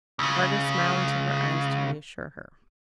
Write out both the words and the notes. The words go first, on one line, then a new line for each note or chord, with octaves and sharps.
Margaret smiled into her eyes to re-assure her.
C#2 C#3